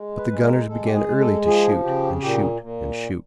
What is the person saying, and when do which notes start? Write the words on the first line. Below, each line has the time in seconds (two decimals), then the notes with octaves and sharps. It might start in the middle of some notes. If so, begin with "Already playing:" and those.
But the gunners began early to shoot, and shoot, and shoot.
Already playing: G#3
0.17 B4
0.30 G#3
0.43 A#4
0.69 G#3 A4
0.86 G4
0.94 G#4
1.07 G#3
1.20 A4
1.45 F3 G#4
1.84 C#3 G4
2.23 A#2 G4
2.61 A#2